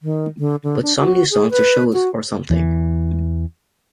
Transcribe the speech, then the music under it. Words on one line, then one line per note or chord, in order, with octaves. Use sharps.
But, some new songs or shows or something.
D#3
D3
D3
D4
F#4
G#4
B4
F#4
E2 E3